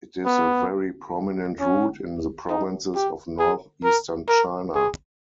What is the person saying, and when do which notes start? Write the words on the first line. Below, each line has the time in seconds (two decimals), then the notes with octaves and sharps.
It is a very prominent route in the provinces of northeastern China.
0.25 B3
1.60 C#4
2.49 D#4
2.95 G4
3.39 G#4
3.84 A#4
4.29 A#4
4.75 G#4